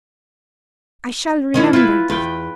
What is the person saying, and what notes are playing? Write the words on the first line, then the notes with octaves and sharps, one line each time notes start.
I shall remember this.
D#3 C#4 E4
E4 F4 B4
E2 B4 G5